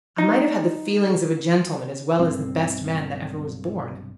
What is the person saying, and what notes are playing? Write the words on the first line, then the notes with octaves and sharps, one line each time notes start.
I might have had the feelings of a gentleman as well as the best man that ever was born.
D#4
B1 G2 C4